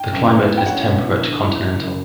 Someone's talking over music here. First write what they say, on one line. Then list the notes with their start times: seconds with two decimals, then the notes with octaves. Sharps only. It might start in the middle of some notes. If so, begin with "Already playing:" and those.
The climate is temperate continental.
Already playing: G5
0.11 F#2
0.29 B3
0.47 A2
0.58 G5
0.66 C#4 F#5
0.84 B2
1.03 E4
1.22 D3
1.40 E4
1.58 F#3
1.76 F#1